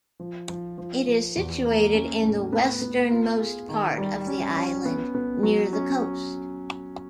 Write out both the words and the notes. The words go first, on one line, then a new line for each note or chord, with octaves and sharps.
It is situated in the westernmost part of the island, near the coast.
F3
F3
F3
F3
E2
A#3
C#4
A2
B3
B3
F4
G#4
D#3
G3
C#4
C#4
B3
B3
F#3
C#4